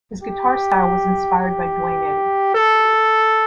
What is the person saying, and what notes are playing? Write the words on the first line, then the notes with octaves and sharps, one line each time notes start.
His guitar style was inspired by Duane Eddy.
G4
G4
A4